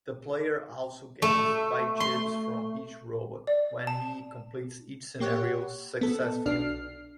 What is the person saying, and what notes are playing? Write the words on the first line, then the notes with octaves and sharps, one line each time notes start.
The player also gains bio-chips from each robot when he completes each scenario successfully.
A3
C6
D5
A5
A#3 G4 C#5 F#5
B3 A4
B1 D4 F6 C7